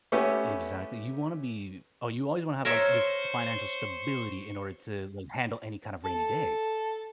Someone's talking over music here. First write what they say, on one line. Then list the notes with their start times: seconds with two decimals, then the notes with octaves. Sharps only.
Exactly, you wanna be oh, you always wanna have, like, this financial stability in order to, like, handle any kind of rainy day.
0.12 A3 B3 C#4 E4 G4 B4
2.65 A#4 C5 C#5 E5 C#6
6.04 A4